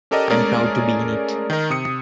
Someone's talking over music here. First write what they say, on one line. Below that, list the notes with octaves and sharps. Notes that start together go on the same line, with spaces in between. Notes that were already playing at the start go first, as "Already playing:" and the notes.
I'm proud to be in it.
C#4 G4 A4 A#4 D5 D#5
G#3 A3 C#4 G#4 A#4 D5
D#3 D#4 A#4
C3 D#6 C#7